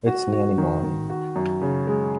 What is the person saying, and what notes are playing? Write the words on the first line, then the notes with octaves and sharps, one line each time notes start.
It's nearly morning.
F#4
F#4
D#3
D#3
F#4
F#2
C#3
G#3